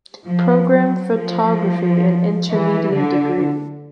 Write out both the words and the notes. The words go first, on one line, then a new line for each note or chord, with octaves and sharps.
Program Photography and Intermedia degree.
F3
F#3
F3
E3
D3